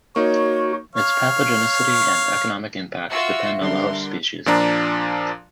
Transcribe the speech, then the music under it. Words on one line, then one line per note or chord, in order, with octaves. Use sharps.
Its pathogenicity and economic impact depend on the host species.
A#3 D#4 F#4 C#5
C#5 F5
F4 F#4 E5 E6
D3 G3 D4 A#4 C6
A#2 F3 D4 A#5